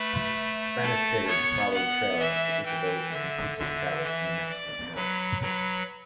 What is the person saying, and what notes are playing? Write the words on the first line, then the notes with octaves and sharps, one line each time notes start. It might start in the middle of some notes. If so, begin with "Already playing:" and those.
Spanish traders followed trails to Ute villages and Utes traveled to New Mexican towns.
Already playing: A3 B4
A4
B3 C#5
F#5
E3 E5
E3 G5
D3 E5
D3 E5
E3 E5
D5
F#3 B4
F#3 B4